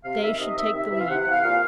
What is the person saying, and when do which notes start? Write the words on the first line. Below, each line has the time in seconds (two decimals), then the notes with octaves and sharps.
They should take the lead.
0.04 C3 F5
0.21 D#3 E5
0.39 C3 D#5
0.56 D#3 E5
0.73 C3 E5
0.91 E3 E5
0.99 F5
1.08 C3 F#5
1.20 F#5
1.26 E3
1.31 F5
1.42 A#2 F5